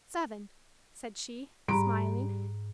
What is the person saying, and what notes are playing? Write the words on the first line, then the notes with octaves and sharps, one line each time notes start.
"Seven," said she, smiling.
G#2 G3 A#5 B5 D7